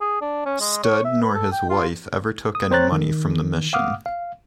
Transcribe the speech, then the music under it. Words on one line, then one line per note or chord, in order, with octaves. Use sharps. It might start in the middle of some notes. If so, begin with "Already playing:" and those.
Studd nor his wife ever took any money from the mission.
G#4
D4
C#4
G#3
C#5
E5
B4
A4
G5
F4
D#6
C4 C5 C#5 A#5 F#6 A6
D#3
F5 F#5 D6 D#6 F6
F5